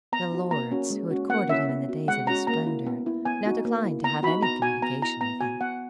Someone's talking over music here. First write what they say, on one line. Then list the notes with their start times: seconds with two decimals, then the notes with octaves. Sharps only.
The lords who had courted him in the days of his splendour, now declined to have any communication with him.
0.12 B3 A#5
0.32 D#4 F#4
0.51 A#3 A#5
0.71 C#4 F#4
0.90 G#3
1.11 C#4 F#4
1.29 A#3 F#5
1.49 C#4 E4 E5
1.69 B3
1.89 F#4
2.08 G#3 F#5
2.27 C#4 F#4 A#5
2.47 A#3 A#5
2.66 E4
2.86 B3
3.06 E4
3.25 B3 G#5
3.45 D#4 F#4
3.65 A#3
3.85 E4
4.04 B3 A#5
4.23 D#4 F#4 B5
4.43 B3 A#5
4.62 F#4 G#5
4.82 B3 A#5
5.02 E4 A#5
5.21 B3 A#5
5.40 F#4 G#5
5.61 B3 F#5